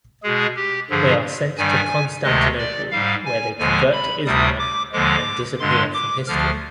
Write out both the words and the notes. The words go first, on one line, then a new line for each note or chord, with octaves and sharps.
They are sent to Constantinople where they convert to Islam and disappear from history.
B2 G#3 G#4
G4
G2 D3 F3 G#4
G2 D#3 G3 G#5
D2 C3 D#3 G#3 D#5
D5
G#2 G3 F5
G#5
D#2 D3 F3 G#3 G#5
B5
D2 C3 G3 D#6
D6
D#2 D3 F3 G#3 D6
G2 D3 G#3 C6
D6
D2 D3 F3 F6